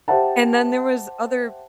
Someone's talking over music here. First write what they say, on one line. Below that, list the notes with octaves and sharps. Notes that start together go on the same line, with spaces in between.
and then there was other
G4 C5 E5 F#5 A5